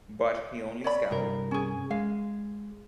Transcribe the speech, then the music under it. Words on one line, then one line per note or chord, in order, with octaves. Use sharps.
But he only scowled.
C#5 D5 B5
C2 G2 A#4
C#4 G#4
G#3 F5